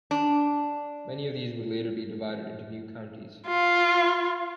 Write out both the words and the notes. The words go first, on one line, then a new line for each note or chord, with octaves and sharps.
Many of these would later be divided into new counties.
D4
F4